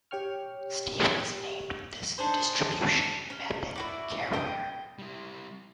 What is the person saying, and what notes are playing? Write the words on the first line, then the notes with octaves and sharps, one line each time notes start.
Stevens named this distribution method careware.
G4 C#5 G5 C#6 F6
D4 D#4 G#4 C5
C#4
E4 F#4 D5
G5 D#6
G3 E4